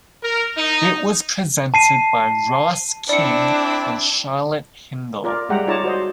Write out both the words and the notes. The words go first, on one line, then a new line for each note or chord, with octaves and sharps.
It was presented by Ross King and Charlotte Hindle.
A#4
D#4
A5 C7 D#7
C4 D4 E4 D5 C#7
F4 A#4 D5
G3 G#3 E5 F#5 G5 A#5
D#4 F4 C#5 D5 A5 A#5
F#4 C5 D#5